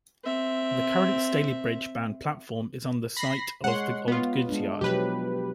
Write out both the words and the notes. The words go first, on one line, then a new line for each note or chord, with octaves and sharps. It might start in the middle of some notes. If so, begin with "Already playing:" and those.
The current Stalybridge-bound platform is on the site of the old goods yard.
C4 E5
B5 A#6 C7
G#3 C#5 F#5 C6
B3 F4
G#3 D4
B2 F3 F#3 G4 B4